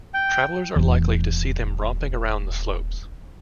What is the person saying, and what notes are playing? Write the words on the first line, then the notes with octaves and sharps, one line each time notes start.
Travellers are likely to see them romping around the slopes.
G5
D#1 E2 A2